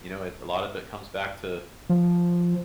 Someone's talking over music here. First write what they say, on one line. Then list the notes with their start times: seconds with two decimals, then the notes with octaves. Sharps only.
You know, a lot of it comes back to
1.89 F3